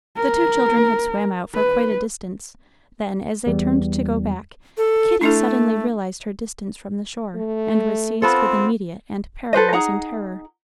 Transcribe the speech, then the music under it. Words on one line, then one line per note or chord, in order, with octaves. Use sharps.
The two children had swam out for quite a distance; then, as they turned to go back, Kitty suddenly realized her distance from the shore, and was seized with immediate and paralyzing terror.
A#4
B4
E2 G3
A4
A3 D4 E4 A4
A3
B3 C4 F4 A4
A4 B4 C5 D#5
D#4 G#4 F#5 A#5